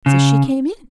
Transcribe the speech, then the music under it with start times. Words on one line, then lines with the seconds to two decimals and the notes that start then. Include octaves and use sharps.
So she came in.
0.06 C#3